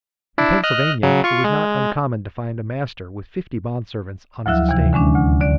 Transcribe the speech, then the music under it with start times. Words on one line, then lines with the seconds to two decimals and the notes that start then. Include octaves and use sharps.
In Pennsylvania, it was not uncommon to find a master with fifty bond servants on his estate.
0.38 D4 E4
0.63 D#5 F6 F#6
1.03 C#3 F#3
1.24 F4 C#6
1.44 G#3
4.46 D2 F3 F#3 E4 E5 F#6
4.69 D#2 C3 E3
4.93 D3 G#3 C#4 D4
5.15 D2
5.40 D3 D5